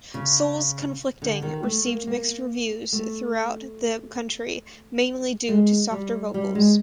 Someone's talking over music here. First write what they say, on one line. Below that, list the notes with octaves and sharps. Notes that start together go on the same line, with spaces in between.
"Souls Conflicting" received mixed reviews throughout the country, mainly due to the softer vocals.
C#3
D3
D#3
A3
A#3
A#3
A3
G#3
G3
G3
G#3